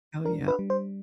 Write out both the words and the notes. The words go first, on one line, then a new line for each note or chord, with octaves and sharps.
Oh, yeah.
D4 A#4
B4
G3
C5